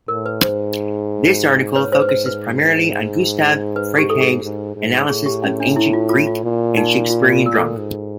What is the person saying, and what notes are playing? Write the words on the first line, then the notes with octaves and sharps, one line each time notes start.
This article focuses primarily on Gustav Freytag's analysis of ancient Greek and Shakespearean drama.
A2 A#4
B4
G#2 C5
G#2 B4 C#5
C5
B4
C5
B4
B4
G4
A4
G#4
G#2
G#2
A2 G#4
G4
C#4
D4
E4
F4
F4
F4
A#2
D#4
F4
F4
A#4
A4
G#2